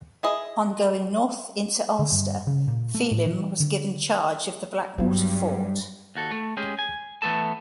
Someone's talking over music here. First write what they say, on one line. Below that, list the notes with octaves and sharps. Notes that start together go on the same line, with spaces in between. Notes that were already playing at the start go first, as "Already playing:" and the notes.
On going north into Ulster, Phelim was given charge of the Blackwater fort.
E4 G#4 D#5
D3
G2
C#3
A#2
A3
A2
E3
D3
G2 F#3 B3
D#2 F#4 A4
A3
G#3 C#4 G4 G#4
G#5
E3 A3 B3 A4 A5